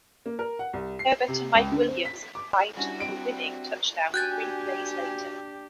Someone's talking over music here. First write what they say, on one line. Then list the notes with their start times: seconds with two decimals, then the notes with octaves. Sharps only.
Herbert and Mike Williams combined for the winning touchdown three plays later.
0.26 A#3
0.39 A#4
0.59 F#5
0.73 C2
0.99 C7
1.28 C3
1.55 C#2
1.72 D3
1.88 C4
2.05 B6
2.35 D6
2.77 G3 C#4 D4 E4 F#4
3.00 C4 D7
4.14 D4 F#4 G4 G5 G#5 F#6 G6 A6